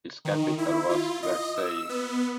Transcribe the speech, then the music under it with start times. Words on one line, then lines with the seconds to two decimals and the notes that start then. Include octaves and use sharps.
Its capital was Vercelli.
0.25 D#3
0.58 E4
0.89 F4
1.23 D#5
1.56 E6
1.89 B3